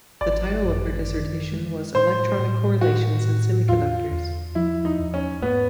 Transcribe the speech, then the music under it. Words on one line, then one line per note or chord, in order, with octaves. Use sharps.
The title of her dissertation was "Electronic correlations in semiconductors".
G#1 D5
F#2
D#3
G#3
A2 C5
A2
A2 F#4
A2
E2 F4
E2
F3 E4
D#4
E2
C#4
G#2 B3